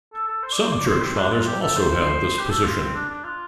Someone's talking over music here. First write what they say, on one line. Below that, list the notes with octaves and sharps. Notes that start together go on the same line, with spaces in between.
Some Church Fathers also held this position.
A4
A4
C5
D5
C5
D5
C5
C4
D4
F4
G4
A4
C5
C5
C5
G4
A4
F4
C4
D4
D4
F4